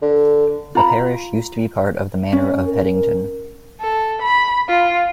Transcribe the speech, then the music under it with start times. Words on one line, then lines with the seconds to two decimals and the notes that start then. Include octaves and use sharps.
The parish used to be part of the manor of Headington.
0.02 D3
0.75 F4 A#5 B5
2.33 C#4
2.66 A#4
3.81 A4
4.22 B5
4.68 F4